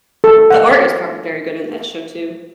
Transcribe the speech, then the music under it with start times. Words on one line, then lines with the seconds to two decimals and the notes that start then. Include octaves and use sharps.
the art is probably very good in that show too,
0.24 A4
0.50 F#5